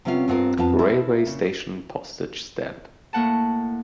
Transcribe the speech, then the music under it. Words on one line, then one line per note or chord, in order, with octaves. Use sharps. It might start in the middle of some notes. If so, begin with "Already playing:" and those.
Railway station Postage stamp.
C3 G3 B3 C#4 F4 F5
G2 B3 C4 F4 G4 A#4
F2 B3 F4 F5 A5
E4
C#3
A2 A#3 F#5 A5